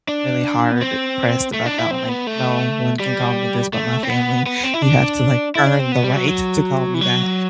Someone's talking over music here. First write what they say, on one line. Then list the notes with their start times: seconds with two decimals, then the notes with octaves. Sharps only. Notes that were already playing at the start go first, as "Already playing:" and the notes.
really hard pressed about that one, like, "No one can call me this but my family." You have to, like, earn the right to call me that.
0.08 D4
0.72 B3
0.81 C4
1.54 A3
1.66 D4
1.78 E4
1.91 C4
2.09 B3
2.27 A3
3.00 G3
3.73 A3
4.03 C4
4.09 B3
4.46 B3
4.64 C4
4.74 E4
4.82 D4
5.55 E4
5.67 D4
5.79 C4
5.92 B3
6.04 G3
6.16 F#3
6.28 F#3
6.94 E3
7.01 F#3